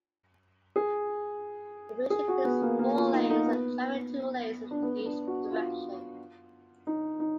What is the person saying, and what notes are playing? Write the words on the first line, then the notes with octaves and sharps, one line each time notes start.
The bridge includes four lanes of traffic-two lanes in each direction.
G#4
G#4
F#4
B3
A#3
A#3
F4
D#4
D#4
B3
D4
B3
B3
D4
F#4
F4
D#4
D#4